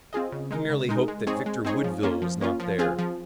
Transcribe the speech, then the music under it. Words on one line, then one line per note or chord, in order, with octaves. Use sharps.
He merely hoped that Victor Woodville was not there.
C4 F4 G#4 D#5
C#3
G#3 D#4 A#4
C#3
G#3 D#4 A#4
G#3
C4 D#4 G#4 C#5
G#3
C4 D#4 G#4 C#5
F3
A#3 C#4 F4
F3
A#3 C#4 F4
F3
C4 F4 G#4
F3